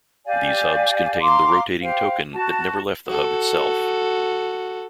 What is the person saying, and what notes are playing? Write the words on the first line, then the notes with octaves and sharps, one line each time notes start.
These hubs contained the rotating token that never left the hub itself.
G4 D5 F5 G#5
F5 A#5 C6 D6
G4 C5 F5 G5
F#4 A5
F#4 A4